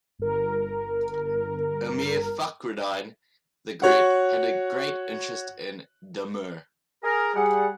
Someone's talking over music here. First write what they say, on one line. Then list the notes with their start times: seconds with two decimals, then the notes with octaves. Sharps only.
Emir Fakhreddine the Great had a great interest in Damour.
0.19 G1 A#4
3.82 F#4 C#5 F#5
7.04 G#4 A#4
7.35 G3 G#4 F#5